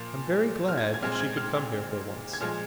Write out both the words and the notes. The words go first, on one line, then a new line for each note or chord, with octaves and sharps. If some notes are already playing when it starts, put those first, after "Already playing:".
I'm very glad she could come here for once.
Already playing: A#2 F3 A#3
F6
G#6
G#6
A#2 G#3 C4 F6
F6
G#6
F6
G#6
A#2 F3 G#3 F6